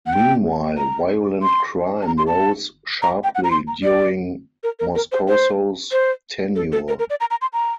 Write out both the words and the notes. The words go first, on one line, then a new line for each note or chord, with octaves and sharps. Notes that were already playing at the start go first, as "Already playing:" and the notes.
Meanwhile, violent crime rose sharply during Moscoso's tenure.
F#5
G5
A#5
C6
A5
A#5
C6
A5
A#5
G5
F#5
A#5
C6
A#5
D5
A#4
A#4
A#4
C5
C5
C5
A4
A4
A#4
A#4
D5
A#5
A#5
C6
A#5